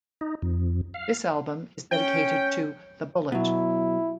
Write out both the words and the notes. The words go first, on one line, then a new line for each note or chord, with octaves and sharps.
This Album is dedicated to "The Bullet".
D#4
F2
F5
C#4 G5
B2 F#3 E4